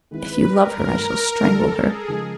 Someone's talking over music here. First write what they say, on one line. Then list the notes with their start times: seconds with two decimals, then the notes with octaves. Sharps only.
If you love her, I shall strangle her....
0.11 D#3 G#3 C4 E4 B4
0.44 A#4
0.77 G2 D#3 F#3 A3
1.42 F2 D3 F#3 A3 A4
1.76 G#4
2.08 C#3 F3 G#3